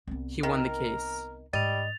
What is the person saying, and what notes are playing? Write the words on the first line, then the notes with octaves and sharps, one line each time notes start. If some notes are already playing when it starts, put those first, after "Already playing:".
He won the case.
C2 B3
D#3 A#4
G#2 G3 D#5 A6 F7